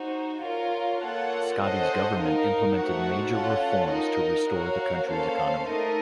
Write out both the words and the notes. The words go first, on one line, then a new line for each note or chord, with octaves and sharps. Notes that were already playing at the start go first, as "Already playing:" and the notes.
Scotty's government implemented major reforms to restore the country's economy.
Already playing: D#4 F#4 C5
F4 A#4 C#5
A#3 F4 A4 C#5 F#5
C#4 A4 C5 D#5 F#5
D#4 A#4 F5
A3 D#4 F#4 C5 F#5
C#4 F4 A4 C#5 F#5
D#4 A#4 D#5
F#4 A#4 C#5 F5
A#3 C#4 A4 C5 F5
A3 D#4 A#4 D#5